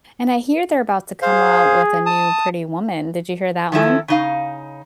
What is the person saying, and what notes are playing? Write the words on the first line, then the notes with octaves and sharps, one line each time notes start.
And I hear they're about to come out with a new Pretty Woman. Did you hear that one?
G#4 C5 F5
A5 D#6
D#3 F3 E4 A4
C#3 D#4 F5